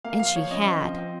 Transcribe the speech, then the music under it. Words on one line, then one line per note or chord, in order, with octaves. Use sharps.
And she had.
A#3 F5
F3 F5
F3 C#5
C#4 D#5
C4
F3
C4